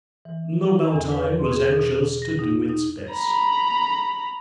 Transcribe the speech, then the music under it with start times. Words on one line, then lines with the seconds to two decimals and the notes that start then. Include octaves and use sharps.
Knobaltheim was anxious to do its best.
0.25 E3
0.92 E2
1.11 B4
1.39 C6
1.52 G#4
1.73 B2
2.22 A#6
2.39 D#4
2.69 D#4
3.13 A#5 B5